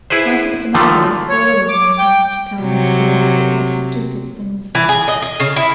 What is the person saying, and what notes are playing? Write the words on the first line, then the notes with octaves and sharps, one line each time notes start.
My sister Maggie is always wanting to tell me stories, but they're stupid things.
E4 G#4 B4 C5
D3 D#3 F3 A3 F4
C#5
D6
G5
C3 F#3
E3
G#4
D#5
D#5
C#3
E4